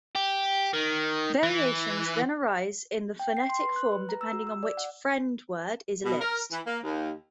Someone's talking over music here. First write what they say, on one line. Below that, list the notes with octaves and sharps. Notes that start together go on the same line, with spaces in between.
Variations then arise in the phonetic form depending on which "friend" word is ellipsed.
G4
D#3
E3
G5
C7
C6
B4
F#6
B4
A#5
E6
F#4
E6
D5
F#5
B2
A#4
E3
A#3
D#2